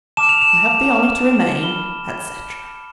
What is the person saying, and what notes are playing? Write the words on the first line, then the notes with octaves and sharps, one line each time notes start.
I have the honour to remain, etc.
A5 D6 F6 E7
F7
E7
A5 D6 F6
B5 F6 G7